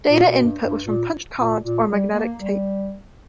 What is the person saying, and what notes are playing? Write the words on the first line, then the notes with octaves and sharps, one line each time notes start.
Data input was from punched cards or magnetic tape.
A#2
B2
G2
G2
A#2
A#2
A#2
G3
A#3
G3